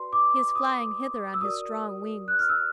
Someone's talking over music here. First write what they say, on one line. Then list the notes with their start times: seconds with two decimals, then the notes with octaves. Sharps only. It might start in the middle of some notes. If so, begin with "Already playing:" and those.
"He is flying hither on his strong wings."
Already playing: F#4 B4 D5 C6
0.13 D6
0.55 D#6
1.34 E6
1.41 F#4 A#4 D5 D#6
2.28 F#6
2.39 F6
2.49 E6